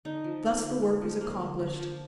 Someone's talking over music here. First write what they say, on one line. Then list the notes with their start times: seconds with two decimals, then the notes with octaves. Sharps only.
Thus the work was accomplished.
0.05 D3 D#4
0.24 F3
0.44 A#3
0.62 D3
0.82 D3
1.01 F3
1.21 A#3
1.41 D3
1.59 D3
1.79 F3